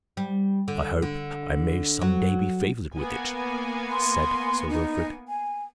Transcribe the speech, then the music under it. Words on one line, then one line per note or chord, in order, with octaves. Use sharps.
"I hope I may some day be favored with it," said Sir Wilfrid.
G3
D3
D3
F#3
A#3 B3 G#5
C6
D#4
G#5